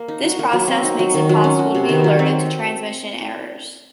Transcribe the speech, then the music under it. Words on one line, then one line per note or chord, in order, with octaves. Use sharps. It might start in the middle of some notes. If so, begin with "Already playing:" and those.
This process makes it possible to be alerted to transmission errors.
Already playing: A#3
D#4
F#4
A#3
F#3
C4
D#4
F#3
D#3
F#3
C#4
F#4
C3
D#3
F#3
C4